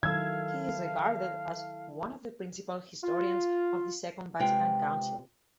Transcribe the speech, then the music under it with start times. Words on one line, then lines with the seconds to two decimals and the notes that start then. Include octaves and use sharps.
He is regarded as one of the principal historians of the Second Vatican Council.
0.03 D#3 F#3 E4 A4 F5 E6 G#6
3.04 F4
4.39 C3 G#3 F4 B4 G5